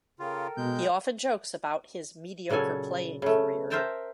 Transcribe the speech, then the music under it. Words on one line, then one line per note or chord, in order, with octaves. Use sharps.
He often jokes about his mediocre playing career.
C#3 F4 A4 A#4 G5
B2 G#3 G6
A#2 C#3 F#3 A4 G#5
C#3 A3
A#4 C5 E5 G5 A5 A#5